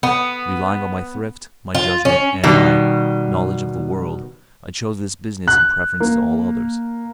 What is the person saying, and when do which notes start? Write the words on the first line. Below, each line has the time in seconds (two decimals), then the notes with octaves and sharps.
Relying on my thrift, my judgment, and my, knowledge of the world, I chose this business in preference to all others.
0.03 B3
1.75 F4
2.05 C#4
2.43 B2 D#3 G3
5.48 F#6
6.00 A#3